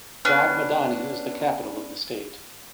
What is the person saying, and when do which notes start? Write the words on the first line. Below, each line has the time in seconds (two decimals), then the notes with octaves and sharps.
Wad Madani is the capital of the state.
0.25 B3 C#4 D4